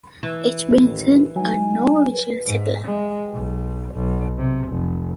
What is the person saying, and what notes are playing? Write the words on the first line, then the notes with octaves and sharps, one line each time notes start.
H. Benson, a Norwegian settler.
E3
A1 D#2
F#3 G#3 D#4 G#5
G#2
G#3
B1
B1
C3
F1